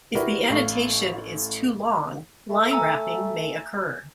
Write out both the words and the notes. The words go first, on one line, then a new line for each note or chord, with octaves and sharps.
If the annotation is too long, line wrapping may occur.
E4 F#4 G4 A#4 B4 D5
A1 A4 F5 C#6 C7
A3
G#5 A#5 E6